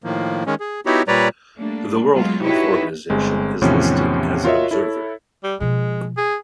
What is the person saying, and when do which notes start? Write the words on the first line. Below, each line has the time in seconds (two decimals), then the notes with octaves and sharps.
The World Health Organization is listed as an observer.
0.04 A2 D#3 F3 A#3
0.46 D#3 G#3 C#4
0.60 G#4
0.86 B3 D#4 E4 F#4 G4 C#5
1.08 A#2 G3 B4 C#5 D5 A#5
1.58 G3 A3 A#3 D4
2.13 F#3 G#3 B3 F4
2.44 D#4 E4 F#4 G4 B4 C#5
3.10 G1 G#3 C4
3.62 E2 A2 C3 D#3 F3 C#4
4.45 F4 F#4 A#4 C#5 D#5 E5
4.71 E4 A4 C#5
5.44 G3
5.60 B2 F3 G#3
6.17 G#4